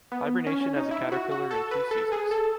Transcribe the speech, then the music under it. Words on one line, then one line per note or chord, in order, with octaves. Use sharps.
Hibernation as a caterpillar in two seasons.
B3
C#4
C#4
D#4
E4
F#4
F#4
A4
B4
A4
G#4
A4